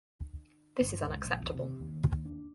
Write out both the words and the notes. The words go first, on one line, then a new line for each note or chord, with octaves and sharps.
This is unacceptable.
G1
C#2
A#1
E2
C3
D#2
D4